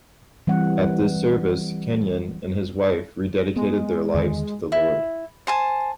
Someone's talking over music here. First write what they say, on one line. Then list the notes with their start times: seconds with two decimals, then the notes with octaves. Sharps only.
At this service, Kenyon and his wife rededicated their lives to the Lord.
0.47 E3 G3 C4 F#5
3.56 G#3 B3
4.14 E2 D3 D#3
4.72 E4
5.47 C5 G#5 A5